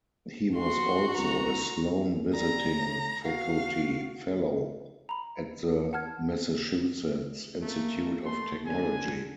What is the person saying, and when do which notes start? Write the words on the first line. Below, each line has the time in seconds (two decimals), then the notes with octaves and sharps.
He was also a Sloan Visiting Faculty Fellow at the Massachusetts Institute of Technology.
0.58 F#4 C6
1.18 C2 A#5
2.34 G3 A#5
2.78 A2
3.25 F#4 F5
5.09 A#5 B5
5.93 F#5 A5 F6 G#6
7.62 A3 A#3
8.25 A3 C6
8.66 D3 G#5